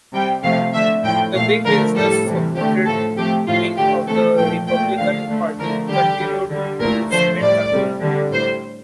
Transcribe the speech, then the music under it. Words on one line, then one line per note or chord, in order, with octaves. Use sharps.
The big business-supported wing of the Republican Party continued to cement control.
C3 G3 G5
C3 F3 A3 F5
D3 A3 E5
A2 F3 A3 G5
A#2 A3 F5
D3 F3 A3 A#4
A2 G3 A4
C3 E3 G3
D3 A3 G4
A2 F3 A3 A4
C3 F3 A3 G4
A2 F3 A3 F4
D3 A3 G4
C3 E3 A3 A4
A#2 F3 A3 G5
A#2 A3 G5
D3 F3 A3 F5
D3 A3
D3 F3 A3 A#4
D3 G3 G4
D3 G3
D3 G3
A#2 A3 A#4
D3 F3 A3 C5
A2 G3 D5
C3 G3
D3 G3
A2 G3 C5